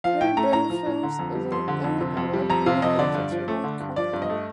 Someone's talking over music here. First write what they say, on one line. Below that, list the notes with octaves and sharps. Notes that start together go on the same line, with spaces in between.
Pyburn Films is an Emmy Award winning entertainment company.
F3 F5
A2 G5
A3 A#5
A2 A#5
F3
A2
D3
F2
G3
F2 C6
D3
F2
C3
F2
G3
F2 A#5
C3 F5
F2 D#5
D3 D5
G2
F3
A3
D3
G2
F3 D5
G2
D#5
A3